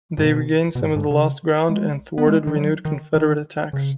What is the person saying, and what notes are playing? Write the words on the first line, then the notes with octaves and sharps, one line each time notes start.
They regained some of the lost ground and thwarted renewed Confederate attacks.
G#2
B2
B2
G#2
G#2
C#3
G#3
B3
G#3
D#3
F#3
D#3
D#3
C#3